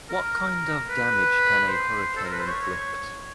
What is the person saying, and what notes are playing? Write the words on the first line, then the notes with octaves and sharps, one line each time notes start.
What kind of damage can a hurricane inflict?
A#4
B4
C5
A4
A#4
B4
C5
C#5